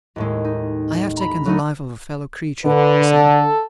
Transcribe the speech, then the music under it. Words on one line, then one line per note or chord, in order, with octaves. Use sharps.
"I have taken the life of a fellow-creature," he said.
D#2 A2 G#3
D#4
A#5 B5
F#3 A3 D#4
D3 B4
A4